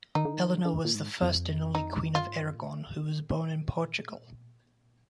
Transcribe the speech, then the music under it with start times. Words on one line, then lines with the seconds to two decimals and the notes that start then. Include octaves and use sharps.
Eleanor was the first and only queen of Aragon who was born in Portugal.
0.15 D#3 D#4
0.25 D3
0.34 D#3
0.55 D3
0.65 D3
0.85 A#2
0.95 G#2
1.22 F2
1.75 D#4
2.15 F#2 F4
2.27 G#2
2.41 F#2
2.55 A#2